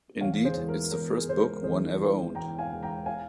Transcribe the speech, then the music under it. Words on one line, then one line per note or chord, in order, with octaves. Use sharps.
Indeed it's the first book one ever owned.
E1 C#5 F5
G#4 C5
E2 E3 G#3
A#4
E1 A#4
G#4
E2 E3 G#3 C5
A#4
E1 G#4 C5
E2 E3 G#3
E1 G5 A#5
F5 G#5
E2 E3 G#3
G5 A#5
F5 G#5